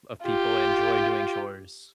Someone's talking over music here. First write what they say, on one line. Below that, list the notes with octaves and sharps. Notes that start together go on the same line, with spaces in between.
of people enjoy doing chores.
F4 G4